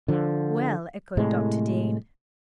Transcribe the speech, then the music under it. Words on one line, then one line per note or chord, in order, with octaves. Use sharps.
"Well," echoed Dr. Dean.
D3 F3
A2 C3 G#3